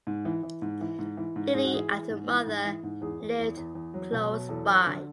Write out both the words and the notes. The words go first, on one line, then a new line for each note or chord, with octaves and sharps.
Lilly and her mother lived close by.
G#2
E3
E3
G#2
E3
G#2
E3
G#2
G#2 G#4
F#4
E3 G#4
E3
G#2
E3
G#2
E3
G#2
E2 G#4
E2
E2
E2
E2
F#3
B2
F#3
E2 A4
F#3
D3